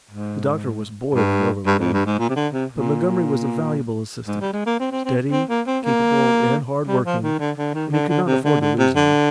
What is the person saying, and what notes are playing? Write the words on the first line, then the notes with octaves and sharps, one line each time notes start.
The doctor was boiling over with anger, but Montgomery was a valuable assistant--steady, capable, and hardworking--and he could not afford to lose him.
G#2
G2
G2
F2
G2
G#2
A#2
C3
D3
C3
A#2
G#2
G3
G#3
A#3
C4
C4
C4
C4
A#3
C4
A#3
G3
F3
D#3
D3
D3
D#3
D3
D3
C3
D3
D3
C3
D3